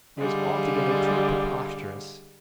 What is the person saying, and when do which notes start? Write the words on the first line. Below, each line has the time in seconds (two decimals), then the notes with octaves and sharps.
It was altogether too preposterous.
0.19 D3 G3 G#3 F5